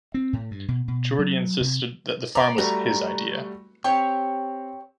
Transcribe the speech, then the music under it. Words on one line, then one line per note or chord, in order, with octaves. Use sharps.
Jordy insisted that the farm was his idea.
C4
A2
G2
B2
B2
F#3
C3
D5 A#5
G3 A3 F#4 A#5
C4 G4 C#5 C#6